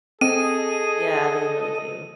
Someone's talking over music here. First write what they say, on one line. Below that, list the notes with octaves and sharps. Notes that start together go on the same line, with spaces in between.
Yeah, they really do.
C4 G#4 A4 D#5 D#7